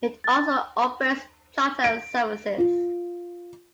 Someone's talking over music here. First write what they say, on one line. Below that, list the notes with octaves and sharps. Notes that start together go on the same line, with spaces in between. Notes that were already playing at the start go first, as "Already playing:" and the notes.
It also operates charter services.
A6
D7
F4